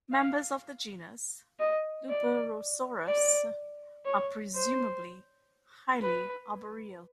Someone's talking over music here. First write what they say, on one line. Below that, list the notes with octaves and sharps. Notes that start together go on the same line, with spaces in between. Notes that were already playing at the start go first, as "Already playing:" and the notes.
Members of the genus "Luperosaurus" are presumably highly arboreal.
F5
D#5
D5
D5
C#5
C5
B4